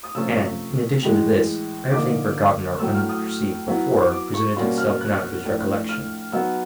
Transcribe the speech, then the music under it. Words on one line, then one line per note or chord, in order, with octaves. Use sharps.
And, in addition to this, everything forgotten or unperceived before presented itself now to his recollection.
D#6
C3 F3 A3 C#4 F4 E6
A2 E3 G#3
D3 F3 A#3 D#4 D6
A2 F#3 A3 E6
F6
D#6
F#3 B3 E4
D6
C#6
B2 G3 A#3 C#4 C6
F6
F#6
A2 F3 A3 D4
F6
F#3 B3 D#4 E6